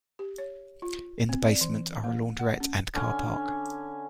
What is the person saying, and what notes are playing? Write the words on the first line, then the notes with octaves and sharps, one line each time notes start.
In the basement are a launderette and car park.
G4
C#5
F4
C4
D5
E3
A#3
F#5
C#4
D3 C#4 G#5